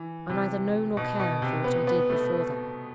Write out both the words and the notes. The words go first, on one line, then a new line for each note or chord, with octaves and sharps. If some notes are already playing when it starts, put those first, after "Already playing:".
I neither know nor care for what I did before then.
Already playing: E3
C3
B2
B2
C3
B3
B3
A3